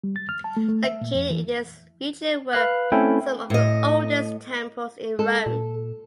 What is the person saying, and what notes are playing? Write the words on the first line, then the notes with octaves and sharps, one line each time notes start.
Located in this region were some of the oldest temples in Rome.
G3
A6
F6
A5
A3
A3
E5
A#2
F2
E3
B4 F5 F#6
A3 C4 C#4 E4 A4 G5
A2 D#5
G#3 A4
A#2